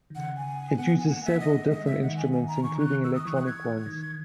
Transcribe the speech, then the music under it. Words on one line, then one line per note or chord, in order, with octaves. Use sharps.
It uses several different instruments including electronic ones.
D#3
C#3 F#5
G#5
B3 F#5
G#5
G#5
A#3 F#5
E5
D#5
G#3 D#5
E5
D#3 F#5
G#5
G#5
A#5
D#3 C#6
F#6
E6
D#6
E3 C#6
F#6
G#6
D#3